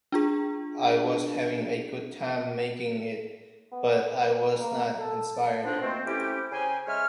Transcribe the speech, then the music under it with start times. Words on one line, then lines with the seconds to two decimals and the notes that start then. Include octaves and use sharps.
I was having a good time making it but I was not inspired.
0.12 D4 F4 G#4
3.72 B3
4.18 B4
4.59 A#3
4.99 A4
5.65 B3 C4 D4 D#4 F4 C5
5.82 B2 F3 A3 A#3 C4
6.06 A3 C4 C#4 E4 G4
6.52 C#3 G#4 C5 G5 G#5
6.86 C#3 G#3 C#5 E5 F6